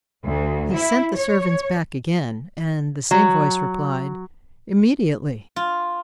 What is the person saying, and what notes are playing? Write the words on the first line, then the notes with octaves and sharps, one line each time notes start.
He sent the servants back again, and the same voice replied, 'Immediately.'
D2
E4
C#5
F#3
F4